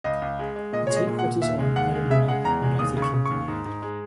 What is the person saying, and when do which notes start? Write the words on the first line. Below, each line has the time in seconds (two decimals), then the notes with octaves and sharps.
Its headquarters are in Edinburgh, United Kingdom.
0.04 C#2 D#5
0.22 C#2
0.39 G#3
0.56 G#3
0.73 A#2 D#5
0.87 G#3 C#5
0.96 D#5
1.07 A#2
1.19 F#5
1.24 A#2
1.42 D#2 E5
1.59 G#3
1.76 D#2 F#5
1.94 G#3
2.10 C#3 E5
2.28 G#3 F#5
2.44 E2 A#5
2.62 G#3
2.79 D#2 D#6
2.97 C#3
3.02 C#6
3.14 C#3
3.26 D#2 C#6
3.48 G#2
3.65 G#2
3.82 G#3